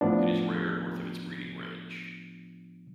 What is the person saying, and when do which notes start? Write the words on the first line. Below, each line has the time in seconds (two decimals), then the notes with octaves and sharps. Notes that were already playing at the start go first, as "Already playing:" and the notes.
It is rare north of its breeding range.
0.01 A2 F3 B3 D4